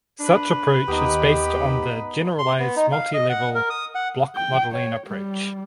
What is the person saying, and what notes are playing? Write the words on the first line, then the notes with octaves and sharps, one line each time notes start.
Such approach is based on the generalized multilevel blockmodeling approach.
D4 B4
D#2 B3 D#4 G4
C6
B3
D#4
F5
D#5
F#5
A#4
D#6
F#5
G5
C#5
G3